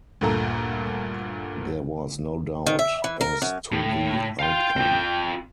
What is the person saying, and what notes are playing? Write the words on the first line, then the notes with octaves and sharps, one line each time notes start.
There was no doubt as to the outcome.
D2 G2 A#2 A4 A#5
D#3
E5
E3
A#4
F#2
A2
F5 G5 C6
C4 F4